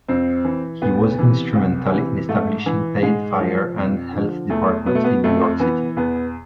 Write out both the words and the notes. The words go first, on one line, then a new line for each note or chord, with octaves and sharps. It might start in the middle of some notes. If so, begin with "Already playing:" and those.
He was instrumental in establishing paid fire and health departments in New York City.
F2 C4
E3
D2 B3
C3 E3
C2
C3 E3
G#2 A3
E3
G#2 G#3
F3
F2
D3 F3
E2 A3
B2 B3
A3
B3
F2 A3
E3 B3
E2 B3